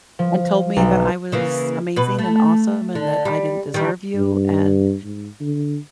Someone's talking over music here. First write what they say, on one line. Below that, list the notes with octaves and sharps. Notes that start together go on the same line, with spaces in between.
and told me that I was amazing, and awesome, and that I didn't deserve you, and"
F3
B1
C#3 E3 A#3
B2 B4
A3
D3
G3
D#3 G3 D4
G2
G#2
D3